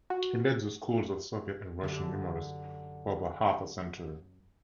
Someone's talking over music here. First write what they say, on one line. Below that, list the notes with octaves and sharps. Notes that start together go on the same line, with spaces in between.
He led the school of Soviet and Russian humorists for about half a century.
F#4
F#2 D3 G4 E5